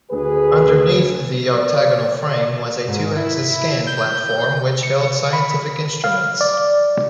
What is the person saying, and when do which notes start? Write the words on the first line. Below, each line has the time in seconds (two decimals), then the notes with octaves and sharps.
Underneath the octagonal frame was a two-axis scan platform which held scientific instruments.
0.11 D2 G#4 B4
1.51 D5
2.88 G#2
3.17 E4
3.87 G6
4.83 C#7
5.33 B5
6.04 F5
6.41 D5